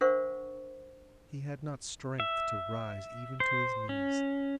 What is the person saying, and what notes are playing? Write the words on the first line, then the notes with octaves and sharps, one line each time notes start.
He had not strength to rise even to his knees.
D4 A#4 C5 E5 F#5 C#6
E5
C5
C#4